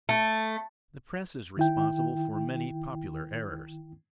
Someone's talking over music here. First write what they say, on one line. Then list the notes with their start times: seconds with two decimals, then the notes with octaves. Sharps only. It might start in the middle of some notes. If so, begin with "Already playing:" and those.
The press is responsible for many popular errors.
0.09 A3
1.57 D#3 E4 G5